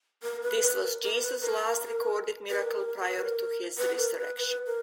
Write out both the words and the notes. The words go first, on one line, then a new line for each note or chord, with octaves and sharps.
This was Jesus' last recorded miracle prior to His resurrection.
A#4
B4
B4
A#4
A#4
B4
A#4
B4
A#4
B4
A#4
B4
A#4
B4
B4
A#4